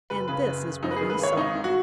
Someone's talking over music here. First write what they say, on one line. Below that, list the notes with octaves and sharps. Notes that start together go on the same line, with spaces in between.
And this is what he saw.
F#1 B4
C#3 B4
F#1
F#1
F#2 D#4
B4
D#3 G#4
B4
G#1 C#5
G#1 D#4
G#1
F#4